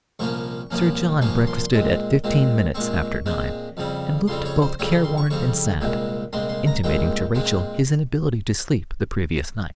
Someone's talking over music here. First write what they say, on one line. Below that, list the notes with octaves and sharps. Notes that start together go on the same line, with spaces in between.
Sir John breakfasted at fifteen minutes after nine, and looked both careworn and sad, intimating to Rachel his inability to sleep the previous night.
C2 A#2 F3 A#3 C#4 C#6
C2 A#2 F3 A#3 C#4
C2 A#2 F3 A#3 C#4 C#6
C6
A#2 G#3 C4
A#2 G#3 C4
A#2 G#3 C4 C#6
A#2 G#3 C4
F2 C#3 G3 C4
F2 C#3 G3 C4 C6
C#5
C5
F2 C#3 G3 C4 C#5
C6
C6
C#6
F2 C#3 G3 C4 C#6
C2 A#2 G#3 C4
C2 A#2 G#3 C4 C6
C6
A#5
C2 A#2 G#3 C4 G5
A#2 G#3 C4